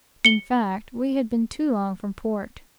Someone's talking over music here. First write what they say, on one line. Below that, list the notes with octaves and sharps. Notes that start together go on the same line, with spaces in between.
In fact, we had been too long from port.
C#7 G7